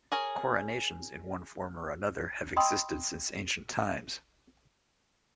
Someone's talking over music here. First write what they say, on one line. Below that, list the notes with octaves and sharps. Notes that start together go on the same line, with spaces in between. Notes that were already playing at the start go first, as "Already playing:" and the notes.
Coronations, in one form or another, have existed since ancient times.
G#4 A#4 C#5
D#5 G5 B5 C6 D#6 E6